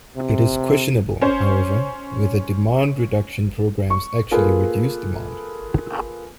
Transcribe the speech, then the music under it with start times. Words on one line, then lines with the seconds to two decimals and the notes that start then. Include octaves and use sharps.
It is questionable, however, whether demand reduction programs actually reduce demand.
0.16 C3
1.21 C#4 C5
3.90 C#6
4.31 A#3 F4 G#4 A4 B4